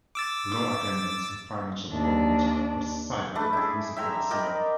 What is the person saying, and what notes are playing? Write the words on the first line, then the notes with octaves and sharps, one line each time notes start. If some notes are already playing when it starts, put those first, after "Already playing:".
Low attendance and financial problems were cited as reasons for the sale.
D6 E6 A6
D#2 D4
A3 D4 B4
E4 G#4
E5 G5 A#5 C6
A#4 D5 D#5 G5